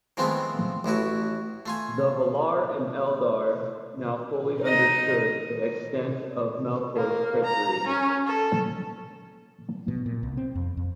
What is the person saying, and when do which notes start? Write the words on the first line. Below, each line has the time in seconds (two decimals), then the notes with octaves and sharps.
The Valar and Eldar now fully understood the extent of Melkor's treachery.
0.17 D#3 F3 G#3 A3 B3 C4
0.84 A1 A2 E4 F#4
1.66 A3 F4 G#5
4.63 D#4 D#5
6.95 A#3
7.44 A#5
7.87 C#4
8.27 A4
9.88 B2
10.06 A#2
10.23 C2
10.37 C4
10.55 F2
10.77 F2